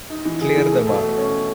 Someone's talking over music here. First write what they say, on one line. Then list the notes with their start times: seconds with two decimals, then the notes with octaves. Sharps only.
Clear the Bar.
0.10 D#4
0.25 E3
0.41 G#4
0.56 E3
0.72 A3
0.86 B2
1.02 A3
1.18 C#4